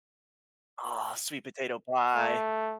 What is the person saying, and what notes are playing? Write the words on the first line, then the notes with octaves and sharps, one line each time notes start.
Oh, sweet potato pie.
A3